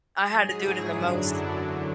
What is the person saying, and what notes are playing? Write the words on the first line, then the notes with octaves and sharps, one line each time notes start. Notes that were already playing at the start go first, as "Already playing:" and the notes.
I had to do it in the most
G#2 F#3 G#4
E4
F#2 D3 F#3 D4
E4
E2 D3 F#3